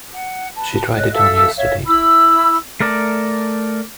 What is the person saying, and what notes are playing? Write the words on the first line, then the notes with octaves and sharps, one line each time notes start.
She tried it on yesterday.
F#5
B4 A5
C#5 D#5 F#6
A4 E5 F5 E6
C#5 E5 F5
E4 B5 E6
A3 A#4 D5 A5